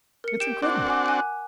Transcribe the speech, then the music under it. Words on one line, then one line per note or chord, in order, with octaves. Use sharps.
It's incredible!
A#4 C#7
G4 D7 E7
C4 D4 F#4 D6
F#5 G#5 D6
G#5 F#6